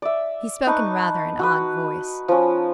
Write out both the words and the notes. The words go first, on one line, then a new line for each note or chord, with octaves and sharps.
He spoke in rather an awed voice.
D5 E5
D#4 B4 A5 C#6
F#4 B4
F3 C#4